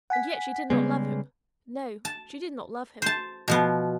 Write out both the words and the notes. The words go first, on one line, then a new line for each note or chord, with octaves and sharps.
And yet she did not love him. No, she did not love him.
F#5 G#5 B6
C#3 G3 G#3 B3
A5
C5 A5
B2 F3 B3